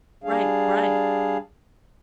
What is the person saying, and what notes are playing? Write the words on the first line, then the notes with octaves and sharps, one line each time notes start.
Right, right.
G3 D4 G#4 F5